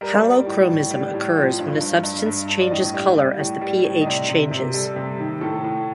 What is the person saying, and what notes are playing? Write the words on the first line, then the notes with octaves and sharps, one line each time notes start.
Halochromism occurs when a substance changes color as the pH changes.
G3 A#4
G3
D5
A2
A2
G3
A2
F3
G2
G2
G2
G2
G2
D5
A2 D#5
G3
G3
A2
G3
A2
D#5
C3 D5
C3
C3
G3 A4
C3
D#3
A2 A4
A2